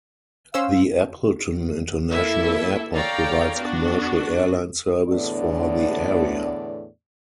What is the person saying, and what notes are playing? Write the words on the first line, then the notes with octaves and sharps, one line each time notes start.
The Appleton International Airport provides commercial airline service for the area.
C#4 C5 F5 E6
A#3 E4 A4 E5
A4 C#5 D5 F5 G5 A#5
B3 D4 F#4
E2 A2 D3 B3 D4 D5